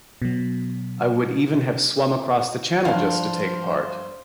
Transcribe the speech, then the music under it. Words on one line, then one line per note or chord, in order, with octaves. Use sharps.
I would even have swum across the channel just to take part.
B2 F#3
G2 F3 D4 C5 F5